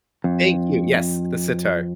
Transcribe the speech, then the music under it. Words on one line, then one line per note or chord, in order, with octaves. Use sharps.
Thank you Yes, the sitar.
F2